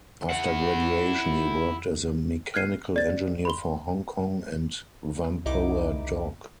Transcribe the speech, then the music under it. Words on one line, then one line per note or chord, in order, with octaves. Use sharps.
After graduation, he worked as a mechanical engineer for Hong Kong and Whampoa Dock.
E4 F#5
F6 F#6 G#6 C7 D#7
D5 A6
B5 C6 G7
C2 D#4 E4 D6